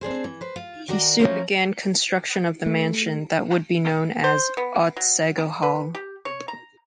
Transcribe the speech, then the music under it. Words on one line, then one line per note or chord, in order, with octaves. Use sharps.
He soon began construction of the mansion that would be known as Otsego Hall.
C4 D4 G#4 C5
E3
B4 C5
F4
D#3 F#4 A#4 D5
F3 F#3 A#3 C#4 D#4 E4
A3
C5
B3
F#3
B4
G4
C#5
A#5